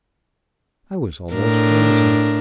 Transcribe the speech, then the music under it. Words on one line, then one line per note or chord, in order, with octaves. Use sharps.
I was almost frozen.
A2 D4 A#4